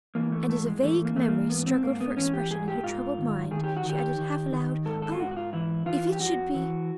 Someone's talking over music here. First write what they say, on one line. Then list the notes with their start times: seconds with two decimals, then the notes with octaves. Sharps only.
And as a vague memory struggled for expression in her troubled mind she added half aloud: "Oh! if it should be ...!"
0.15 E3 A#3
0.32 A3
0.49 G#2 A3
0.66 G#3
0.83 E3 A3
1.05 A#3
1.16 E3 A3
1.28 A#3
1.50 G#2 B3
1.66 C4
1.83 G#2 A#3
2.00 B3
2.17 E3 C#4
2.34 G4
2.51 G#2 G#4
2.68 G4
2.84 G#2 F4
3.18 D#3
3.51 D#3 G#4
3.64 G4
3.77 F#4
3.85 D#3 G4
4.18 D#3
4.53 D#3
4.86 G#2 A4
5.02 A4
5.12 F4
5.19 G#2 F#4
5.31 F#4
5.37 F4
5.53 E3 E4
5.86 E3 F4
6.12 G4
6.20 F2 F#4
6.54 E3